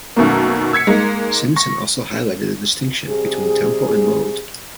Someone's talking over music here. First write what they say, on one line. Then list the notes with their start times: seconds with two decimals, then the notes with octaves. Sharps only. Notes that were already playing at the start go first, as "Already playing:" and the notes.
Simpson also highlighted the distinction between tempo and mode.
0.16 F#2 B2 D#3 A3 A#3
0.73 E6 G#6 B6 C#7
0.87 G#3 A#3 D#4
1.56 C#6 A#6
3.09 C3 G3 G#4